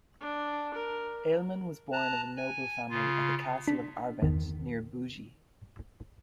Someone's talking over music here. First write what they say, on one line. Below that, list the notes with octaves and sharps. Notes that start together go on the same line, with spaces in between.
Aleman was born of a noble family at the castle of Arbent near Bugey.
D4
A#4
A5 A#5 F#6
G#5
C#3 F4
D4 B6
G1 E2 D#3